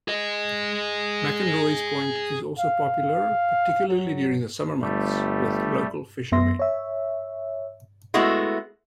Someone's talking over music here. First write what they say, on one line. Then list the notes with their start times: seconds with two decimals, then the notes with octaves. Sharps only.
McInroy's Point is also popular, particularly during the summer months, with local fishermen.
0.08 G#4 D#5
2.59 F5
3.88 F#3
4.82 G1 G3 A3
6.32 F#2 B3 E5 C6 A#6
6.59 C#5 E5
8.14 G#3 A3 B3 E4 F#4